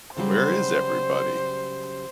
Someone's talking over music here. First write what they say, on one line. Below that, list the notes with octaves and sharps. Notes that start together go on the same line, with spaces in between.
Where is Everybody?
C#3 F#3 G3 C5